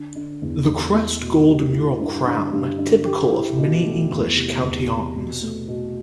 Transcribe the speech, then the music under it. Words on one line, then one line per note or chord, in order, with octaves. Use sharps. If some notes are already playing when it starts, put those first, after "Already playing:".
The crest gold mural crown, typical of many English county arms.
Already playing: D3
D3
E2
E2
A3
B2
G4
E4
G2
D3
G2
D3
G4
E4
B2
A3
E2
C3
E2
C3
B2
A3
B2